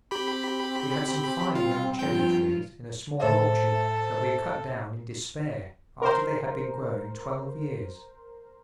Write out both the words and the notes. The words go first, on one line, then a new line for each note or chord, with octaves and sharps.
We had some fine young cherry-trees in a small orchard that we cut down in despair after they had been growing twelve years.
C4 G4 B5
G3 F4
G2 F3 F4 G5
A2 A4 C5 E5
A#4 C5